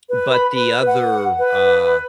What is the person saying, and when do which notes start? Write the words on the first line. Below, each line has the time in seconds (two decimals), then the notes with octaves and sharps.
but the other, uh
0.09 B4
0.32 B5
0.55 B4
0.87 F#5
1.39 B4